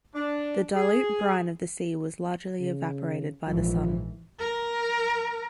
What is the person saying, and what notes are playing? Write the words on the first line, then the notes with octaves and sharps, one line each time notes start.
The dilute brine of the sea was largely evaporated by the sun.
D4
G#4
C#3
A#1 G#2 E3 F3
A#4